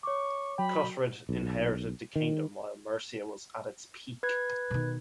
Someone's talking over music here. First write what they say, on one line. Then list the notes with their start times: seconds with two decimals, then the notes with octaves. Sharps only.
Cuthred inherited the kingdom while Mercia was at its peak.
0.03 C#5 C#6 D6
0.58 F#3 G5 B5
1.29 B1
2.16 D#3
4.23 B4 G#6
4.71 B2 D#3